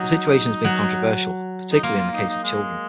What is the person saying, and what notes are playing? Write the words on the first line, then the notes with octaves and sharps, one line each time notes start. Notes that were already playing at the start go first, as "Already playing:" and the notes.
The situation has been controversial, particularly in the case of children.
Already playing: F#3 D#4
F#3
D#4
A#3 F4
F4
D#4
D#4
G#3